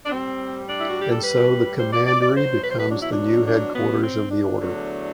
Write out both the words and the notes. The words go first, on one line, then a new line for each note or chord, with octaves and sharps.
And so the commandery becomes the new headquarters of the order.
D4
A2 G3 C4
D4
E4
F#4
G4
A4
B4
C5
D5
D5
D5
E2 B2 F#3 C5
B4
C5
B4
D4
E4
D4
D4
B3
C4
D4
E2 D3 F#3 A3